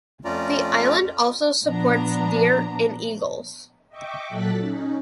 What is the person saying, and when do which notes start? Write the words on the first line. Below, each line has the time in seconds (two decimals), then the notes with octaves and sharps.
The island also supports deer and eagles.
0.25 F2 A3 C#4 F4 D5 A#5
1.63 A#2 F3 B3 D4 A#5
3.89 D#5 E5 G5 C#6 D6
4.26 A#2 F#3 A4 F#6 A6 B6
4.58 C#4 D#4